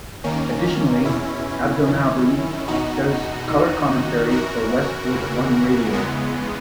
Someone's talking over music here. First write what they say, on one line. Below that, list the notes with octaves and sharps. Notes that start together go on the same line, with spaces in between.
Additionally, Abdelnaby does color commentary for Westwood One Radio.
D#2 D#3 A#3 C#4
E2 B2 C#4 E4
F#2 D#3
E2 B2 D#4 F#4
D#2 D#3
F#2 E3 F#4 A#4
E2 C#3 E3
E2 C#3 E3 G#3 B3